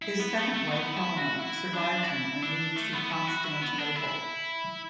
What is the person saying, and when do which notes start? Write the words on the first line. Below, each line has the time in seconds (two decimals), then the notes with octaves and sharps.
His second wife Helena survived him and moved to Constantinople.
0.02 E4
0.20 B3
0.37 A3
0.54 A3
0.71 B3
0.93 E4
1.17 F#4
1.39 E4
1.73 D4
2.03 F#4
2.08 E4
2.42 D4
2.76 A3
2.93 B3
3.10 E4
3.27 F#4
3.44 E4
3.61 B3
3.78 D4
3.96 E4